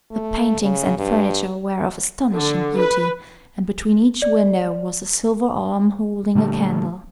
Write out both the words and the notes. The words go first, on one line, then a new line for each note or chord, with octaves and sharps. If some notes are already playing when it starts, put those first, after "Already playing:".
The paintings and furniture were of astonishing beauty, and between each window was a silver arm holding a candle.
A3
C#3
G2
D3
B4
D5
A#2 D3 G3 A3